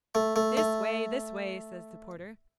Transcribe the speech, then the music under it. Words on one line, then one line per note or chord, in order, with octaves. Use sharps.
'This way, this way,' says the porter.
A3
A3
A3